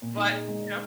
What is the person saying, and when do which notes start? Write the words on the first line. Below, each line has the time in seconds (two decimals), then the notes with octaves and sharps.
but, you know,
0.02 A#2
0.17 D#4
0.32 G#4
0.48 G#3